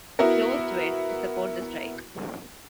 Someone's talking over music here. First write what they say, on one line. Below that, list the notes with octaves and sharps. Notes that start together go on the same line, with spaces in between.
Closed Wed. to support the strike.
B3 E4 F#4 A#4